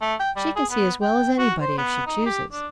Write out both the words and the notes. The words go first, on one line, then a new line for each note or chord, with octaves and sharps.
She can see as well as any body, if she chooses.
A3
G5
G3
G#4
B3
G5
F#4
C5
B3
D#4
G4
D4